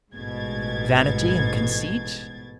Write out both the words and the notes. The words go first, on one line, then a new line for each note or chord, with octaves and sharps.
Vanity and conceit?
A1 G#2 B2 G#6 A6